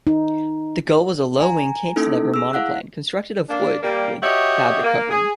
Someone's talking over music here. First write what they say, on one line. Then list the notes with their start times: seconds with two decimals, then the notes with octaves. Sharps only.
The Gull was a low-wing cantilever monoplane, constructed of wood with fabric covering.
0.07 D#4
1.40 G#5 A#5
1.96 A#3 C#4 D#4 E4 A4
2.34 G#4 E6
2.53 E4 F5 F#5 F#6
3.48 A#3 D4
3.82 G3 A#3
4.22 F#4 G4 C#5 D#5 E5
4.83 A#3
5.10 G#4